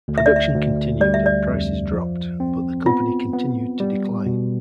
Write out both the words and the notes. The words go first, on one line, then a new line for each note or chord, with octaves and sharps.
Production continued and prices dropped but the company continued to decline.
D2
E5
D5
E5
D2
G3 D5
E5
D5
F2
F3
C4
B3 F4
B3
G3
B2